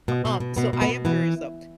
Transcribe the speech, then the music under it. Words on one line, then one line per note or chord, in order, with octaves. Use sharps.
Um, so I am curious though,
B2
B2
B2
B2 B3
B2
B3
B2
E3 B3